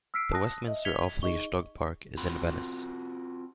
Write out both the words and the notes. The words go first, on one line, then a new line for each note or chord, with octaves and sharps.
The Westminster Off-Leash Dog Park is in Venice.
E6 F6 B6 C7 D7
A5 D#6 F#6 A#6
D#5 E5
G#6 B6 C#7 F7 G7
D#4 G#4 D#5 C#6 G7
C4 F4 F#4 B5